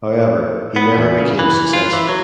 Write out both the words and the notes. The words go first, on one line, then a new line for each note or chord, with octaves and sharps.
However, he never became successful.
B3
E2
C#3
E3
F4
E3
F#3